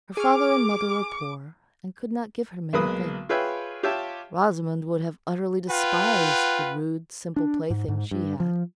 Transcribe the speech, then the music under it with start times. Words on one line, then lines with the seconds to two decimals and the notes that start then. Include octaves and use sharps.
Her father and mother were poor, and could not give her many things. Rosamond would have utterly despised the rude, simple playthings she had.
0.17 G#4 C#6 D6 F6
2.73 B1 G#3 A#3 B4 B5 D#6
3.29 F4 G#4 B4 C#5 E5 G5
3.83 F4 G4 C#5 E5 G5 A5
5.69 F4 B4 F#5 G5
7.36 D4
7.70 G#2
7.88 G#2
8.11 G2
8.40 F3